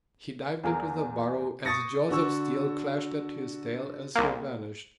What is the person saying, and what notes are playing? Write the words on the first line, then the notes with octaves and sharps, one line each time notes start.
He dived into the burrow, and jaws of steel clashed at his tail as he vanished.
E2 A#3 G#4 A#4
C#6 D#6 A6 A#6 C#7
D3 F#4 C#6 E6
C2 A#3